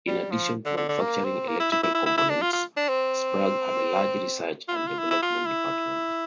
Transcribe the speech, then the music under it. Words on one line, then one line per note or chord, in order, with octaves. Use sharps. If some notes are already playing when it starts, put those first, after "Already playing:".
In addition to manufacturing electrical components, Sprague had a large research and development department.
G3
F3
D3
D3
D3
A#3
C4
A#3
E4
E4
E4
E4
E4
E4
D4
F4
F4
D4
C4
F4
E4
F4
E4
E4
F4
E4